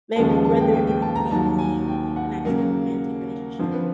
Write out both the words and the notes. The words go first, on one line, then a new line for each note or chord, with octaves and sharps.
may whether it be, like, family or, like, an actual romantic relationship,
D#2 C#3 F3 G#3 B3 A5
A5
A5
G5
G5
G5
A5
A#5
D#2 D#3 F#3 A5
G#5
G5
F#5
C#3 F#3 A#3
F2 D3 F3 C5
B4